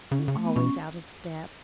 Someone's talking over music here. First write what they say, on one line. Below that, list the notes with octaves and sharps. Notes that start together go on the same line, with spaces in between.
You're always out of step.'
C#3 C#4
D3
C#3
A3
B3
B2 C#4